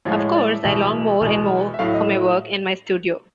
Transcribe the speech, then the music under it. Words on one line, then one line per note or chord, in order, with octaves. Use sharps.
Of course, I long more and more for my work and my studio.
A2 F3 G#3 C#5
C#5
D5
E5
E2 B2 G#3 E5
E2 B2 G#3
E5
A2 F#3 A3 F5
D#5